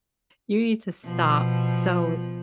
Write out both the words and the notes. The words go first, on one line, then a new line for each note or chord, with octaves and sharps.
you need to stop." So,
B2 F3